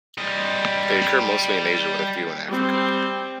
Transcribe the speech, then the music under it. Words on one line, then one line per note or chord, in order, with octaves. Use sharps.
They occur mostly in Asia with a few in Africa.
G3 D#5
G3 C4